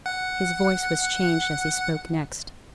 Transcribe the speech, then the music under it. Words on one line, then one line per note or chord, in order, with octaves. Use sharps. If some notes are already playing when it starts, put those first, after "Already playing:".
His voice was changed as he spoke next.
F#5